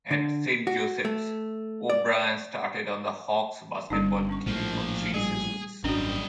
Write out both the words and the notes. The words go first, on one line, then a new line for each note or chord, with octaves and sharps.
At Saint Joseph's, O'Brien started on the Hawks basketball team for three seasons.
D3
F#4
A3
D5
G1 G3 C#4 D#4
C#4 C#6
A#1 A2 F3 A#3
G3 G#4
G#1 F#2 G3 C#4 D4 F#4 D#5